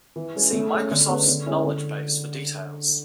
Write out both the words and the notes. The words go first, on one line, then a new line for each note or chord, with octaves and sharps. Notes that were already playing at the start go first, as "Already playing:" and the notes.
See Microsoft's knowledge base for details.
E3
G#3 C#4
A3
C#4 G#4
D3
A3 C#4 G#4 B4
D3
G#3 C#4 E4
D3